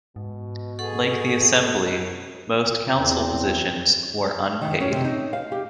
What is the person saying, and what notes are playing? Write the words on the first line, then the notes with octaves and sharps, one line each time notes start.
Like the assembly, most council positions were unpaid.
G#2 B2
G#4 A4 F#5 C#6
E2 C4
D#3
C#4
C3
D#4
F5
G4